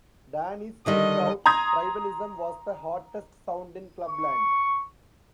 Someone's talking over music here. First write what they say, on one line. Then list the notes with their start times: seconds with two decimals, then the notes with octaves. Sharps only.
Danny's tripped out tribalism was the hottest sound in clubland.
0.86 D3 D#3 G3 D#5
1.46 A#5 C6 D#6 G#6
4.09 C#6